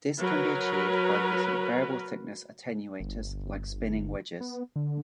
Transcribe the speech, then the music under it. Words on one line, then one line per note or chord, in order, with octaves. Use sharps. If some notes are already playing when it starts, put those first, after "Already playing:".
This can be achieved by using variable thickness attenuators like spinning wedges.
F#3 A#4 B4
G1
B3
D3